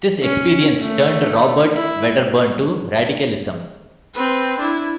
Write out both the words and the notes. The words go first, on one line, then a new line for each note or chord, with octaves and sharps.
This experience turned Robert Wedderburn to radicalism.
C#4
A3
E4
C4 B4
D4 E4